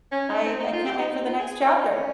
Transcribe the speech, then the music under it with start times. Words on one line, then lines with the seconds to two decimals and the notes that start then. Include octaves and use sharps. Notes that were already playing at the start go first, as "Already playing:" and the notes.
I I can't wait for the next chapter.
0.12 C#4
0.29 D#4
0.46 C4
0.60 D#4
0.73 F4
0.86 G4
0.99 D#4
1.12 D#4
1.26 F4
1.39 G#4
1.52 G#4
1.61 A#3
1.66 C4
1.78 D#4
1.92 C#4